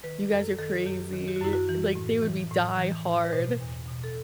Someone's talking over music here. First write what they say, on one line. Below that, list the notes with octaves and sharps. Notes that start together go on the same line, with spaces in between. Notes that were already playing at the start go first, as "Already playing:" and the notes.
you guys are crazy." Like, they would be die-hard,
D#3 B4
F#2 A4
D#3 A4
F#2 G4
D#3
G4
F#4
F#2 E4
F#4
E3
A2
E3
A2
E3
A2
B4
B2 C5
E2
B2
A4